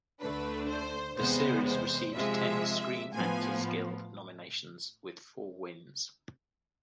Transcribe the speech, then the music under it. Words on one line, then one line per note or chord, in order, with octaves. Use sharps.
The series received ten Screen Actors Guild nominations with four wins.
D2 D3 A3 D4 B4
C5
E2 C3 G#3 B3 C5
C5
C3 F3 G#3 E5
A2 F3 B3 G#5